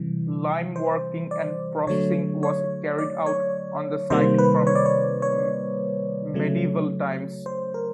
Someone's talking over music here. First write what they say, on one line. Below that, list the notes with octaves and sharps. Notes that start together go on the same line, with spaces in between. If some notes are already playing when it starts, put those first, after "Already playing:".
Lime working and processing was carried out on the site from medieval times.
Already playing: C3 E3 G3
C5
D5
D3 F#3 A3 C#5
C#5
D5
C#5
C3 D#3 G3 A#3 C5
B4
C#5
D5
C#5
C#5
C#3 F#3 A3
C5
A#4